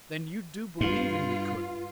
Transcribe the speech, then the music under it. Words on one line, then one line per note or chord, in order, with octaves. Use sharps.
"Then you do believe in me, Colonel?"
G2 F4